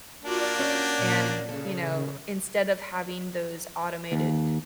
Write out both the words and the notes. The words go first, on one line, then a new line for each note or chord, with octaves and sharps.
and, you know, instead of having those automated,
A#3 D4 F4 F#4 D5
C#4 F#4 D5 G6
A#2
C#3 A4
D#2